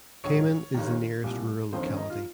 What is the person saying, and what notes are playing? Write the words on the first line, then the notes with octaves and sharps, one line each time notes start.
Kamen is the nearest rural locality.
A#1 G#2 D#3 C#5
G1 G2 D#3
C2 A#2
G1 F2 D#3 C5
C#4
D#4
F4